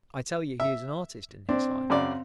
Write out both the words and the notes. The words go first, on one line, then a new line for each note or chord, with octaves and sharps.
I tell you he is an artist in his line.
E5
C4 D4
F#2 C#3 D5